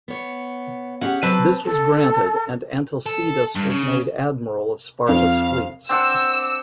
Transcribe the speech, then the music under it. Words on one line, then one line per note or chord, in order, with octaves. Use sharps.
This was granted and Antalcidas was made admiral of Sparta's fleets.
B3 C#5
C#4 G4 G#4 F#5
F#3 C4 B4 A5
A4
A4
G2
C#3
F2 F5
C4 D4 F#5 E6